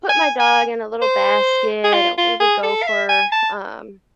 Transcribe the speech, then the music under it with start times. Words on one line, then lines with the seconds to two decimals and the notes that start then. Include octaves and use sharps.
put my dog in a little basket, we would go for, um
0.10 G#5
0.40 G#5
1.02 C5
1.84 G#4
1.94 F4
2.18 F4
2.40 G#4
2.63 A4
2.82 F5
2.87 E5
3.10 G#5
3.32 A5